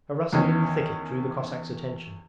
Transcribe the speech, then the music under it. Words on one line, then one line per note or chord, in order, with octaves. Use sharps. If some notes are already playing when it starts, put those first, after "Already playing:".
A rustling in the thicket drew the Cossack's attention.
E2 D#3 C#4